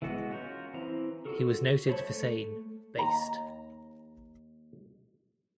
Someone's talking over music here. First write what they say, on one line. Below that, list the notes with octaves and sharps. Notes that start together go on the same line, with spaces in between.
He was noted for saying ""Baste!
E3 G#3 B3 F#4
C#4 F4 F#4 A#4 G6
E3 C4 E4 A#5
F4 F#4 A4 A#4
C5 C#5 A5 B5
A3
D#2 A#5